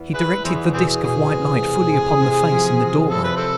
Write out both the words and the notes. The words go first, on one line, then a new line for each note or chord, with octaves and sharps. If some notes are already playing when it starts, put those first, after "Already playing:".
He directed the disk of white light fully upon the face in the doorway.
Already playing: E2
E4 G#4 B4
E2 C4 G#4
B2 C4 G#4
B2 G#4
C3
A3
C3
C3
F3
C3
F1 A4
B4
C4 A4